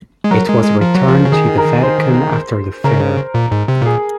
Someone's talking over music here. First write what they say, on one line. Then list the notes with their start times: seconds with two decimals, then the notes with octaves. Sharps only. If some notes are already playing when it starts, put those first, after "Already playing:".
It was returned to the Vatican after the fair.
0.24 G#3
0.31 F#3 A#4
0.49 G#3
0.64 G#3
0.81 F3
0.95 F#3
1.09 F3
1.25 C#3
1.32 D#3 G#4
1.58 A#4
1.83 C5
2.84 C#3 A#4
3.34 A#2
3.51 G#2
3.68 C3
3.82 A#2 G#4